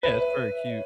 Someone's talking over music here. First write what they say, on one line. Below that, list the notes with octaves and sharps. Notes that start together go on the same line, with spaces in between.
Yeah, it's very cute.
B4 E5
C#5
E5
E5
C#5